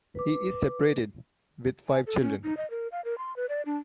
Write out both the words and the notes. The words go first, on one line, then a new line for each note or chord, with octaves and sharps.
He is separated, with five children.
B4 D6
G#5
A4
C#4
D#4
D#5
A#4
F5
A#4
C6
B4
D5
D4